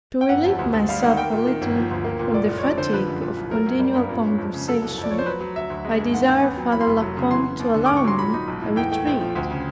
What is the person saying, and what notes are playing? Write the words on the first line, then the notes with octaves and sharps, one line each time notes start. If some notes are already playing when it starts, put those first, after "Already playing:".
To relieve myself a little from the fatigue of continual conversation, I desired Father La Combe to allow me a retreat.
G5
G1 F#5
F2
D2
D2
G3 F5
D#3 F#5
A#3 G5
A#2
D#3
G1
F3
D2
A#3
A#2
F#1 D5
F#1
C#5
F2 D5
D3 C5
F3 B4
F#2
A#2
C2
F#3 A#4
F#2
G3
G2
A#2
C#4
F2
C#3
F#3 A4
C2
F2
D5
F3 C#5
C5
F#3 B4
F#3
D2 E5
D2
G#3
G2
D#3 F#5
D#2
B3
F#3
E3 B5
C6
F1 B5
F#3
C#3
E3 C6
E3
D#2
D3
G#2 D6
C#6
F#3 C6
A#2 B5
D#4
B1
A2
E2 G5
A3 G5
A#1 G5
F3
D2
C#3